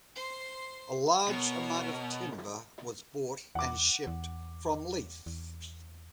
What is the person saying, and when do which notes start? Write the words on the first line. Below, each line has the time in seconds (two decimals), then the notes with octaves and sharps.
A large amount of timber was bought and shipped from Leith.
0.15 C5 C6
1.28 B2 A#4 C#5
3.55 E2 F#5 D6
4.07 E2
5.26 E2